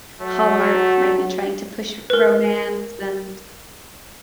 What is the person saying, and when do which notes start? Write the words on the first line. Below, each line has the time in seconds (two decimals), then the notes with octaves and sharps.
Hallmark might be trying to push romance and
0.20 F#3 A3
2.10 A#4 B4